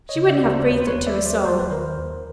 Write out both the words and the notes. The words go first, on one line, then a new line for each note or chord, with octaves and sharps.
She wouldn't have breathed it to a soul.
C#5 D#5
C#3
D5 E5
D2
C5 D5
D#2 B4 C#5
C5
B4 C#5
D#2
D5 E5
F#3
C5 D5
D#2 C5
B4
D#3 A#4 C5
D#2